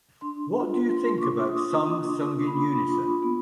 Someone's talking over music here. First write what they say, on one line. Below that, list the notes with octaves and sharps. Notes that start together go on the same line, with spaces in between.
What do you think about songs sung in unison?
D4 C6
F4
A#3 C6
C#6
D6
D4
D#6
D4
D4
A#3 B5
F4
B3